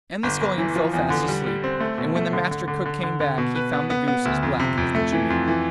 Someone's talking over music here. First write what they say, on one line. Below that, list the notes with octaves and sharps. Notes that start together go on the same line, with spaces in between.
And the Scullion fell fast asleep, and when the Master Cook came back he found the goose as black as the chimney.
G1
G1
E3
F3
E2
D3
G3
G3
C4
A3
B2
A3
D3
D3
D3
D3
D3
D3
B2
B4
B3
B3
B3
D2
F2
C3
F2
A3
E3
F2
E3